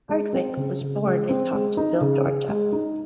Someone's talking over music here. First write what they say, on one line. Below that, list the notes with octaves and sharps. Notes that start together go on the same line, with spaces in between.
Hardwick was born in Thomasville, Georgia.
G#3
C4
C#3
C#3
G#3
C4
G#3
D#4
C#3
G#4
G#3
D#4